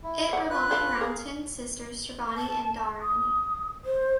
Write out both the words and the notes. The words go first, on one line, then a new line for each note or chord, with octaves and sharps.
It revolving around twin sisters Sravani and Dharani.
E4
D5 F#5
F4 B4 F#6
A4 F5
G#4 A#4 F5
A5
D#6
C5